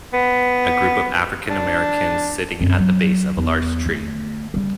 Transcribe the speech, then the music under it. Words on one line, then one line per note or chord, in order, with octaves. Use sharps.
A group of African Americans sitting at the base of a large tree.
B3
D4
F#2 C4
F#3
E2
D3 A3
C#3 G3